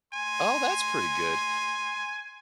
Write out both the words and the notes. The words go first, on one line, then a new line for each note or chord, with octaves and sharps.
Oh, that's pretty good.
G#5 C6